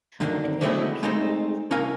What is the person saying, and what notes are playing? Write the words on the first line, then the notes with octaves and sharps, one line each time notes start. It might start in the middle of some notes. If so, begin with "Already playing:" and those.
Well, and younger people,
F#2 D3 D#3 A#3 B3 D4
D3 F#3 G#3 A3 B3 E4
G#3 A3 C4 D#4 C5
C2 C#4 E4 A#4 F5 G#5